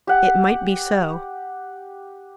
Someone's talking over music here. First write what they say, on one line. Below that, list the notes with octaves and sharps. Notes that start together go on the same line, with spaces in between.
It might be so.
G4 F#5